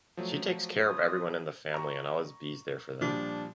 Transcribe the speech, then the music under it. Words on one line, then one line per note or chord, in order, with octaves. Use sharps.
She takes care of everyone in the family and always bees there for them.
F3 F#3 A3
F4 C#5 D#6
A#5 C#6
A#2 F3 G3 D4